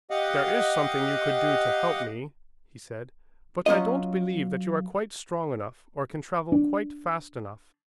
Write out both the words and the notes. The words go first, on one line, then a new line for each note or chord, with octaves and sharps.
"There is something you could do to help me," he said, "but I don't believe that you are quite strong enough or can travel quite fast enough."
G4 D#5 F5 F#5
F#3 C#4 F4 D#5
D4